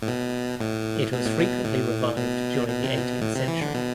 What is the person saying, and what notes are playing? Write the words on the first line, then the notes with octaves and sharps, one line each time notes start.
It was frequently revived during the eighteenth century.
A2
B2
A2
B2
A2
B2
A2
B2
B2
C3
B2
A2
C3
E3
D3
B2